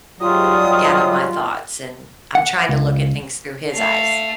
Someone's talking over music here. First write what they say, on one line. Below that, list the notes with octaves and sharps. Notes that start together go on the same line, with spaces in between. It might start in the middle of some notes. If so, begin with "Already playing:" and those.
gather my thoughts, and I'm trying to look at things through his eyes.
G#2 F#3 G3 F4 D#6
F#5
C#2
A3 F5